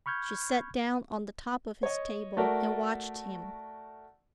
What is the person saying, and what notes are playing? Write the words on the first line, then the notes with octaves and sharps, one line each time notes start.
She sat down on the top of his table and watched him.
B5 C#6 F6 G6 G#6
C#5 D#5
A3 F#4 A#4 D5